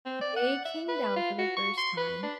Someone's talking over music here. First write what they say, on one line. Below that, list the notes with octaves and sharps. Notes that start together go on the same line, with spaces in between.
they came down for the first time
C4
D5
F#5
E5
B4
F4
F#4
C#6
C6
B4
D4